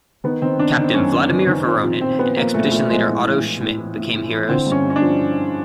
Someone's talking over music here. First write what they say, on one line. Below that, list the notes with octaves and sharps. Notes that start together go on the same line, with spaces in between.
Captain Vladimir Voronin and expedition leader Otto Schmidt became heroes.
D#3 B3
D#3 C4
D#3 D4
D#3
C4
F#2 C#4
D#3
D#3
D#3
A#2 C4
F3 C4
F3 C4
A#2 B3
F3 A#3
A#2 A3
A#2 A3
F3 G#3
A2
E3
A2
A2
E3
A2
A2
E3
D3 C4
G2
C#4
G2
C#4
D4
F3